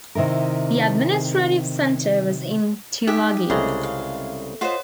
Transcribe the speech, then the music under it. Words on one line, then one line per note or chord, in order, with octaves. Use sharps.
The administrative centre was in Tulagi.
C3 D#3 E4 A#4
D#4 G4 E5 D#6
C2 C#3 G#3 A4 E5
F5
F4 C5 C#5 D#5 F#5